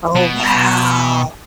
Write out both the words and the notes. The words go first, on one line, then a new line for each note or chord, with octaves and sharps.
Oh, wow!
B2